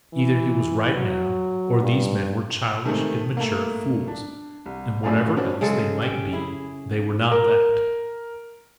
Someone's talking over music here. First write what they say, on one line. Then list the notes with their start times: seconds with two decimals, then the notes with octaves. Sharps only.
Either he was right now, or these men were childish, immature fools--and, whatever else they might be, they were not that!
0.14 E3
0.96 F#3
1.81 G2
2.85 C3 D#3 G#3 A3
3.37 A3 A#3
4.08 D4
4.66 C2
5.03 F#2 A2 A3 G#4 D5 F5
5.36 C#4 D4 F#4 C5
5.61 C#3 F#3 G#3 A4
6.02 C#4 G4
6.33 E4 G#4
7.31 A#4